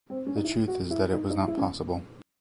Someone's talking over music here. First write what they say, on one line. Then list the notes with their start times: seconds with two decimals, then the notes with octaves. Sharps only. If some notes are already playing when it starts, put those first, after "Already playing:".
The truth is that it was not possible.
0.10 C4
0.27 C#4
0.36 D#4
0.44 E4
0.68 F#4
0.91 E4
1.13 D#4
1.30 D#4
1.48 E4
1.57 C#4